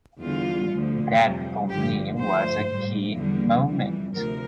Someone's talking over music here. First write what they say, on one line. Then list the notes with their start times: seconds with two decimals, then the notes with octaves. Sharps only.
That for me was a key moment.
0.22 E2 D3 G3 F4
0.71 D2 D3 F3
1.20 F2 C3 G3
1.69 G2 D3 F3 G4
2.18 D2 D3 F3 C5
2.68 A2 G3
3.17 E2 D3 G3
3.66 F2 E3 G3
4.15 D2 C3 F3 A#4